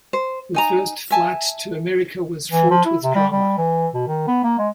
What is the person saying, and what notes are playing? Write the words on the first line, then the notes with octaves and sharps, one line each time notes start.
The first flight to America was fraught with drama.
C5
D#4 G#5 A#5
E5 G#5 A5
E3
F3
E4
C3
G3
G3
E3
B2
D#3
B3
A#3
G#3